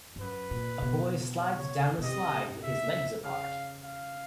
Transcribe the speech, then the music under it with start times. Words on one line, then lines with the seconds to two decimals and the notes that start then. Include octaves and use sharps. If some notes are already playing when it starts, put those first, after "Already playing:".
A boy slides down a slide with his legs apart.
0.16 G2
0.20 F#2 B4
0.51 A#2
0.82 B2
1.42 C#5
1.98 B2
2.02 C3 D#5
2.63 E5
3.23 C#3 F5
3.84 F5